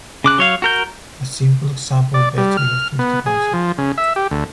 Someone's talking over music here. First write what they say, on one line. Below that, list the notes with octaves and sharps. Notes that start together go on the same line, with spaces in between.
A simple example best illustrates the concept.
C#3 D6 F#6
F#3 C#5 F5
F#4 A#4 G6
D5
G3
F6
B3
G#4
F3
C#3
E5
G4
D2